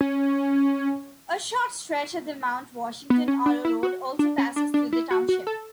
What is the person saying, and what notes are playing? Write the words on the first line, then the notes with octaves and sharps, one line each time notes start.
A short stretch of the Mount Washington Auto Road also passes through the township.
C#4
B3
C#4
D4
E4
F#4
D4
C#4
D4
D4
E4
F#4
F#4
A4